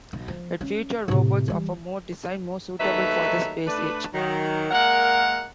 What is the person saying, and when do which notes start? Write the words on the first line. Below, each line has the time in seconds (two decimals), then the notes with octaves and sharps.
It featured robots of a more design more suitable for the Space Age.
0.13 B1
0.28 F3
0.61 C#4
1.08 A2 C3
1.48 E3 G3
2.80 D#2 F#3 A3 D#4 B4 E5
3.67 A3 D4 B4
4.13 D#3 F#3
4.71 G#3 A#3 A#4 F#5